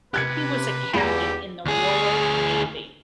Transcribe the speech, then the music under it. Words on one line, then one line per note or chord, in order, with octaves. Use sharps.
He was a Captain in the Royal Navy.
C3 G4 B4 F#6 G#6 C#7
E2 F4 G4 B4
D2 G#4